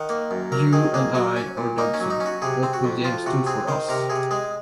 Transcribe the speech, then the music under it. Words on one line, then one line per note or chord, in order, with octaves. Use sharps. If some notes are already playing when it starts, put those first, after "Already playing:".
You and I are Dobson; what will James do for us?
Already playing: D#3 F#5
A#3
F#2
F#3 A#4
D#3 G#4
A#3 G#4
F#3 F#4
C#4
A#2
A#3 D#4
C#4
F#3
D#4
C#4
F#4
C3 G#4
C4
F#4
F2
F3 F4
C3 F#4
C4 G#4
D#3 C5
C3 A#4
C3 G#4
G#3 G#4